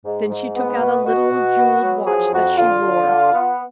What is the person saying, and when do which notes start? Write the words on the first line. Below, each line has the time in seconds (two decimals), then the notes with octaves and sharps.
Then she took out a little jeweled watch that she wore.
0.05 G#2
0.30 G#2
0.55 B3
0.81 B2
1.05 B2 F#4
1.31 B2
1.56 B3
1.81 F#3
2.06 F3 G#4
2.31 F2 F#4
2.56 D3 F4
2.81 D3
3.07 D3
3.32 B3